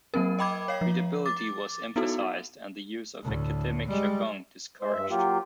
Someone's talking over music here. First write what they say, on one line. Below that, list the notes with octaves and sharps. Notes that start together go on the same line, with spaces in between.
Readability was emphasized and the use of academic jargon discouraged.
F#3 A#3 C4 A#4
D#5 G5 B5 D6 G#6
C#5 F5 C7
F3
D6 A6
B3 D#4 E4 F#4 A4
D2 A2
G3 G#3
G#3 C5
G2 E5
F#3 A#3 F4 G4